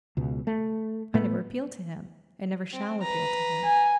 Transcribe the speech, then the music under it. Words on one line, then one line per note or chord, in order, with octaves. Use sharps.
I never appeal to him, and never shall appeal to him.
C#2 B2
A3
A2 A3 B3
C4
B4 A#5
G#5